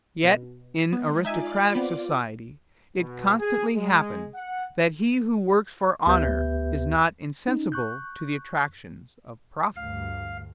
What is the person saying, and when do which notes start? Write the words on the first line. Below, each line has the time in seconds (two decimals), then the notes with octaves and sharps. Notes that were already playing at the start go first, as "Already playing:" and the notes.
Yet in aristocratic society it constantly happens that he who works for honor is not insensible to the attractions of profit.
0.24 B2
0.93 G#3 B3
1.25 D#4 F4 D5 E5 G#5 D6
1.75 B3 C4
2.96 B2
3.39 G#4
3.75 G#3
4.35 F#5
6.06 D2 B3 G4 B4 E5 G6
7.48 C#4 D#4
7.72 C#6 F#6 G6
9.76 D2 G2 F5